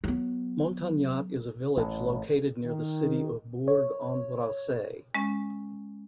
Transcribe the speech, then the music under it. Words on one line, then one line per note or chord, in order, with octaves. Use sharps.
Montagnat is a village located near the city of Bourg-en-Bresse.
F#3 B3
A1
D#3
C#5
G#3 C#4